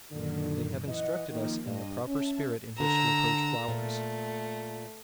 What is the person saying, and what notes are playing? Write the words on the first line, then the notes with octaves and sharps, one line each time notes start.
They have instructed us in the proper spirit in which to approach flowers.
F#2 A#2 D3 D#3
E3 D#5 F#5
D#3 F3 A#3
G2 D#5
C#4 E5 A5
D3 A#5 E6
A#2 A3